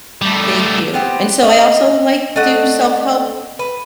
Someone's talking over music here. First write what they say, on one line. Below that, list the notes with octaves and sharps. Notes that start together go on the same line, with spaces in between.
thank you, and so I also, like, do self-help
G3 A3
B3 C4 G4
D#5
A3 D4 D#5 F#5
B4